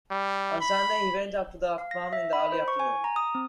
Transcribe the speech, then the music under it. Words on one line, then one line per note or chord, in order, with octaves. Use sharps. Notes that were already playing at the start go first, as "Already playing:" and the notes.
On Sunday he went up to the farm in the early afternoon.
G3
B5
F5
A#6
E5
B5
C5
C#6
G#5
A#5
D#6
C4